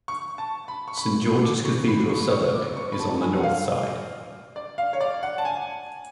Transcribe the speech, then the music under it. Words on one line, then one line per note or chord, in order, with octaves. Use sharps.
Saint George's Cathedral Southwark is on the north side.
C#6
A5
B5
C#6
B5
D6
C#6
B5
C#6
C#6
D6
C#6
B5
A5
G#5
F#5
F5
D5
F5
C#5
D5
F#5
A5
G#5